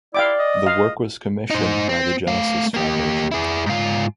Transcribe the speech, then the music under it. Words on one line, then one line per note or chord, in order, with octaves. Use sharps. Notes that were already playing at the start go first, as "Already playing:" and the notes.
The work was commissioned by the Genesis Foundation.
E4 D5 F5 G5 D6
D#5
F5
D#4 C5
C4
A3 F5
A#3 G4
E4 G#4
G#2 F4